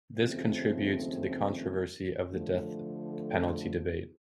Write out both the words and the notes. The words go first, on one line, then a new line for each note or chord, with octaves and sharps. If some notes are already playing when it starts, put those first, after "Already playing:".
This contributes to the controversy of the death penalty debate.
D#2 C#3 F3 A3 C4
D3 F3 A3